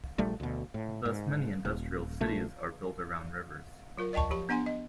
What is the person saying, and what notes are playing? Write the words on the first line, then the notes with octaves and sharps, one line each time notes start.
Thus many industrial cities are built around rivers.
A#1 G3 A3
D2 B2
A2
G#2
D#1
A#1 A3
F#3 F4 A#4
D5 D#5 G5 A5 C#6
F3 G4 B5
B3 D4 F#5 G#5 C6
D#5